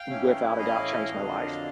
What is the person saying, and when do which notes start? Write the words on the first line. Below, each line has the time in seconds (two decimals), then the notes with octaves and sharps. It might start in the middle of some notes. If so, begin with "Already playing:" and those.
Without a doubt, changed my life.
Already playing: F5 G5
0.09 A2 E3 A3 C#4 E4
0.58 D#5 F5
1.09 F2 D3 F#3 A#3 D4